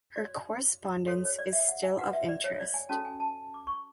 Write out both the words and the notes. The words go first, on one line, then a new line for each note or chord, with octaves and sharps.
Her correspondence is still of interest.
F#4 C#5 D5
F#4 A4 C#5
C#5
D5
E5
F#5
G#5
F#4 B4 F#5
E5
D5
C#5
D5
G#5
C#4 F#4 A4 A5
G#5
A5
D6
C#6